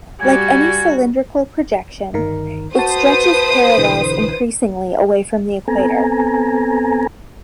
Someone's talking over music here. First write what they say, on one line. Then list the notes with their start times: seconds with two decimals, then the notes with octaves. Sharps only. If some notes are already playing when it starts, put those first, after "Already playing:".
Like any cylindrical projection, it stretches parallels increasingly away from the equator.
0.21 G3 F#4 G#5
2.13 G1 D#3 A#4
2.75 F#4 B4 C5 A5 D#6
3.77 B1 D3 E3
5.68 B3 C4 A4 G#5 A#5